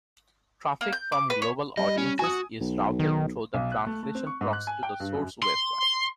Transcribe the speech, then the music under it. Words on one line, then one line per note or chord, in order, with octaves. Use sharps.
Traffic from global audiences is routed through the translation proxy to the source website.
A#3
G6
D6
B4
C#5
G3 D#5
C#4
F#4 G#5 D#6
B1
D#3
B1
F#6
A3
A3
C4
C#6
G#2
F#6
G#5
G5
G2
F#2
C6